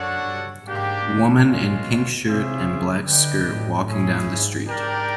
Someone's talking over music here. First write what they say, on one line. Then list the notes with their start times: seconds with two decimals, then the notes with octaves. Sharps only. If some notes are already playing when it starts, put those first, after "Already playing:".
Woman in pink shirt and black skirt walking down the street.
Already playing: F#2 D4 F#4 A4 C#5 F#5
0.25 G2
0.66 G#2 A#3 D4 G4
1.06 A#2
1.46 G#3 C#4 F4
1.86 B2
2.25 C3 C4 F4 G#4 C#5 E5
2.66 C#3
3.06 D3 D4 G4 B4 D#5 G5
3.46 A2
3.86 A2 C#4 E4 G#4
4.26 G#2
4.66 G#2 D4 G4 A#4 D5 G5